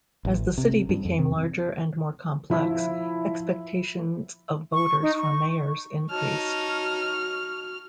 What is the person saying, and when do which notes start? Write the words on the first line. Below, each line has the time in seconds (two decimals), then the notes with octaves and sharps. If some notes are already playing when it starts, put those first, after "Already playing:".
As the city became larger and more complex, expectations of voters for mayors increased.
0.25 A1
0.58 C3
0.89 G2
1.05 F2
1.19 C3
2.50 F3 E4
4.73 C#6
5.02 D#4
5.17 C#6
6.11 D#4 F#4 C#5 A5 F6